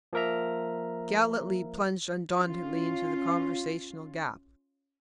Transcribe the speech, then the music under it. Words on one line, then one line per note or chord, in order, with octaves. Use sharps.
Galletly plunged undauntedly into the conversational gap.
F3 A#3 A#4 E5 A#5
C#4 F4